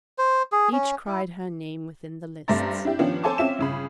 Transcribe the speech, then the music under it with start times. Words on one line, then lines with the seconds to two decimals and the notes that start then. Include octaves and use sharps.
Each cried her name within the lists.
0.18 C5
0.52 G#4
0.72 C#4
1.07 E4
2.48 G2 A3 C5 A#5 A6
2.85 D4 E4 G4
2.99 D#3 F3 B3 C#4 D4
3.23 A4 C5 C#5 G#5 A5 D6
3.38 C4 C#4 F4 E5 E7
3.59 G1 C#3 B5